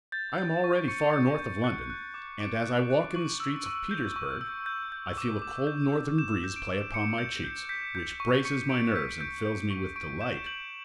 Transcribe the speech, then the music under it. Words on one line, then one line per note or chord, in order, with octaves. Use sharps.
I am already far north of London, and as I walk in the streets of Petersburgh, I feel a cold northern breeze play upon my cheeks, which braces my nerves and fills me with delight.
G6 A6
G6
C#6
C#6 C#7
G6
G6
F#6 C#7
F#6
D6
D6 D7
F#6
F#6
C#6 F#7
E6
C#6
G6
C#6
E6
G6
G6
D6
D6
G6
G6
G6 E7
G6
D7
D6
D6 C#7
G6
G6
G6 B6
G6
C#6
C#6 C#7
G6 D7
G6 B6
G6 D7
G6
C#6
C#6 D7
G6 E7
G6 F#7